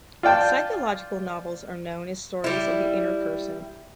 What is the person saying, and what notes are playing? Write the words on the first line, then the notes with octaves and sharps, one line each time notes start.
Psychological novels are known as stories of the inner person.
F4 D5 G5 A5
G3 E4